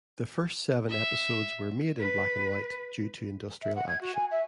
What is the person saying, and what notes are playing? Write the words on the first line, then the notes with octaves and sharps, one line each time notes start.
The first seven episodes were made in black-and-white due to industrial action.
E5
B4
E5
F#5
G#6
F#4
G#5
E5